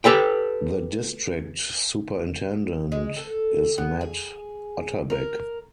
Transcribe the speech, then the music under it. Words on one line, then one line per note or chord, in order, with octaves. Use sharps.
The District Superintendent is Matt Utterback.
G4 A4 B4 G5
G#3
A4
B3
G#4
A#4